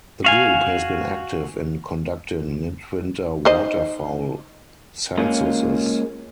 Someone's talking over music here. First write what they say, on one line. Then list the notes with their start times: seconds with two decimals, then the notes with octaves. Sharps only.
The group has been active in conducting mid-winter waterfowl censuses.
0.24 F#4 F5 G#5
3.45 D#4 C5 D#5
5.18 G#3 A#3 C#4 F4